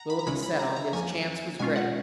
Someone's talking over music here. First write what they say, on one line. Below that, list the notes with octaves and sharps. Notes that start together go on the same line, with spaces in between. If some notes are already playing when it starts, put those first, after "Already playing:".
Willoughby settled, his chance was great.
Already playing: F#5 A#5
B5
A#5
C#2 C#3 G#3 C#4 B5
B5
A#5
A#5
F2 F3 A#3 C#4 G#5
B2 G#3 C#4 F4 G#5
F#5